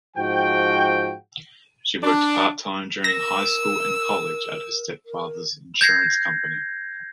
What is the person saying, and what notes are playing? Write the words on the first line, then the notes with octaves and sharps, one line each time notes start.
She worked part-time during high school and college at her stepfather's insurance company.
G#2 F3 F#4 G5
D4
A#4 E6 A#6
A#4
G6 G#6 A#6 C7